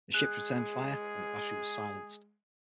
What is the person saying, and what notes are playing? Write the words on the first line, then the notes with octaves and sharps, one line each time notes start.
The ships returned fire and the battery was silenced.
G#3 G#4 F#6